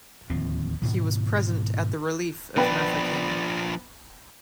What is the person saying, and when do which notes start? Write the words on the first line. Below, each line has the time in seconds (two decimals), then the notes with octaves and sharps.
He was present at the Relief of Mafeking.
0.30 D1 D#2 F3 C4
0.82 G#2 B2 D#3
2.57 F3 B3 D4 B4 G5